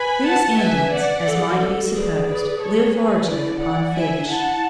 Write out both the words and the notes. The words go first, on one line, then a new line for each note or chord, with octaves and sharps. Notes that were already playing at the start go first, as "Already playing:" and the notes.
These Indians, as might be supposed, live largely upon fish.
Already playing: B4 G#5 B5
F#5 A5
B4 E5 G#5
D5 F#5
A4
G#4
F#4
A4
F#4
G#4 B4 D5
B4 D5
A4 C#5
G#4 B4
E4 B4 D5
D5 F#5
E4 E5 G#5
D4
E4 F#5 A5